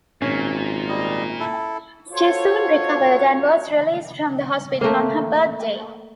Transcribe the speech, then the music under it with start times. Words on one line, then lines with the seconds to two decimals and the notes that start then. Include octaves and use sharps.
She soon recovered and was released from the hospital on her birthday.
0.22 G#1 A#2 C#4
0.88 G3 D#5
1.40 E4 A4
2.13 F4 F#4 A4 C5 C#5
4.81 A3 A#3